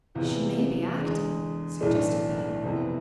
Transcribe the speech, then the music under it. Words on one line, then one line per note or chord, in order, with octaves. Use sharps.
"She may be acting," suggested Beth.
E2 C3 E3 B3 F4
E2 D3 G#3
B1 A2 E3 A3 D4
F2 C3 E3 B3 E4